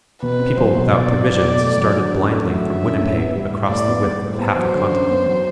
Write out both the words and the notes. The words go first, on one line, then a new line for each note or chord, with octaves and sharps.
People without provisions started blindly from Winnipeg across the width of half a continent.
B2 B4
C4
F#3 C5
B2
B2 D5
C4
F#3
B2
A3
F#3
D3
F#2
A3 E5
F#3
D3
F#2
A2
B3
G3
A2
A2 D5
B3
G3
A2
B3 C5
F#3
D3
F#2
B3
F#3